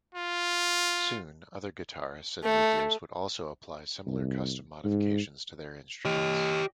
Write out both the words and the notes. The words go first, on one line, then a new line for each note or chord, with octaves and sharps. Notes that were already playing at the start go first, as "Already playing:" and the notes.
Soon, other guitarists and luthiers would also apply similar custom modifications to their instruments.
F4
A3
C2
G#2
G4 D#5